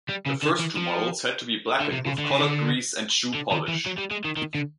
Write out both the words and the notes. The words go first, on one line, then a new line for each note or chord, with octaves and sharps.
The first two models had to be blackened with colored grease and shoe polish.
G3
C#3
D3
E3
F3
D3
C3
C#3
D3
C#3
D3
D3
D#3
E3
F#3
G3
G#3
D#3
D#3
D3